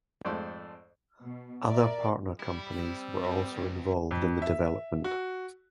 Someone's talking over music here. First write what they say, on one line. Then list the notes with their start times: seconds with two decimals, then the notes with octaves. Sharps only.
Other partner companies were also involved in the development.
0.25 F2 G#2 A3 C5 D5 C6
1.22 B2
1.65 A#4 D5 E5
2.40 G3 E4
2.73 C4
3.24 G2
3.56 C#2
4.11 F2
4.42 E5
5.04 F#4